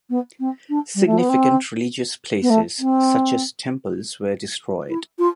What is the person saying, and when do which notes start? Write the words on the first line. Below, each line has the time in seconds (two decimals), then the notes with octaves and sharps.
Significant religious places such as temples were destroyed.
0.10 B3
0.40 C4
0.69 D4
0.95 G3
1.06 A3
1.18 B3
1.29 C4
2.42 B3
2.50 A3
2.80 C4
4.89 E4
5.19 F4